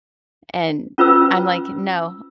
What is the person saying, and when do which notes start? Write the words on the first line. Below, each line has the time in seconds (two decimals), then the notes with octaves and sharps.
And, I'm like, "No.
0.98 C#4 F4 B4 C5 E6